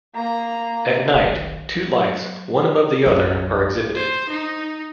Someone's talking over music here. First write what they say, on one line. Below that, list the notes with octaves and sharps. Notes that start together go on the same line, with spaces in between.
At night, two lights, one above the other, are exhibited.
A#3 A#5
F1 B1 D#3
F#3
B1 F#2 A2 F#3 C#4
C5
D#4